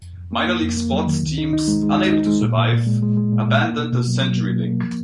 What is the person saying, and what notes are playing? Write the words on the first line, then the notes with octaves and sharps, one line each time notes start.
Minor league sports teams, unable to survive, abandoned the CenturyLink.
F2
F2
A#3
A#3
F2
A#3
F#3
D#3
C#2
D#4
D#4
G#3
G#3
D#4
D#4
G#3
A#2
A#2
A#2
G#3
G#3
G#3
A#2
A#2
A#3
B2
B2
F#3
F#3
A#3
F#3
A#3
F3